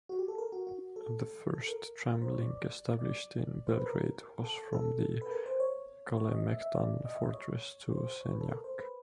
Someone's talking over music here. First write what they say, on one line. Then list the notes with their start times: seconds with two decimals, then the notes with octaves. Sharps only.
The first tram link established in Belgrade was from the Kalemegdan fortress to Senjak.
0.09 F#4
0.19 G4
0.28 A4
0.38 A#4
0.52 F#4
0.67 F#4
0.96 A4
1.54 A4
1.69 A#4
2.12 A#4
2.22 C5
2.32 C#5
2.41 D5
2.99 D5
3.67 C5
3.76 B4
3.86 A#4
4.44 A4
4.73 A4
5.22 B4
5.31 A#4
5.46 C5
5.60 C#5
6.17 C#5
6.32 D#5
6.47 E5
6.62 E5
6.76 D5
7.05 D#5
7.14 E5
7.24 D#5
7.34 C#5
7.92 C5
8.21 C#5
8.31 B4
8.41 A4
8.49 A#4
8.64 C5
8.79 B4